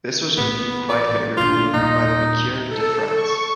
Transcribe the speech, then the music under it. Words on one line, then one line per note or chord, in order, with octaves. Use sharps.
This was reviewed quite favorably by the "Mercure de France".
A1 B3
D5
A#1 D4 F4
D#1 A#2 D#4
A4
C#6